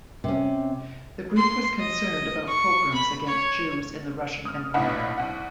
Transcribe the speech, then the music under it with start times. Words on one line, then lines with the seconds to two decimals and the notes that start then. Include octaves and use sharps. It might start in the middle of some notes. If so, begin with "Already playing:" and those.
The group was concerned about pogroms against Jews in the Russian Empire.
0.24 C3 C#4
1.36 C6
1.79 D#5
2.46 C#6
2.94 B5
3.27 C#5
4.45 D#6 F6
4.74 B1 A2 B3 D4 F#5 B5
5.18 C2 F#5